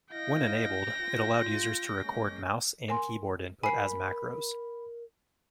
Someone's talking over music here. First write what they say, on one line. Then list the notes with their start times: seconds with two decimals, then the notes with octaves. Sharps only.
When enabled, it allowed users to record mouse and keyboard input as macros.
0.12 E4 D#5 F5 G5 A#6
1.00 F4
2.03 G#3 A#3 C#4
2.89 A#4 G#5 C6
3.64 A#4 G#5 B5 C7